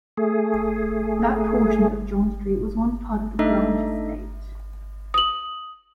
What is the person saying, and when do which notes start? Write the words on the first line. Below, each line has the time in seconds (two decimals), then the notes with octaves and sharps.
That portion of John Street was once part of the Grange estate.
0.17 A3 G#4
3.39 A3 D4 D#4 A4 D#5 E5
5.14 D#6 F#7